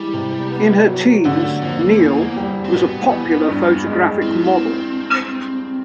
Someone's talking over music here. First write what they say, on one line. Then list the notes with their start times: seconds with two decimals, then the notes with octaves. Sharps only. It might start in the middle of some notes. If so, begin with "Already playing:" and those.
In her teens, Neill was a popular photographic model.
Already playing: E3 G3 G#3
0.13 C3
0.51 B3
0.88 F#3
1.24 D3 A3
1.62 F2 A#3
1.99 E2
2.36 G3
2.65 C4
2.74 B2 B3
3.11 E2
3.49 G2
3.86 G#3
4.22 E3 C4
4.33 B3
4.44 C4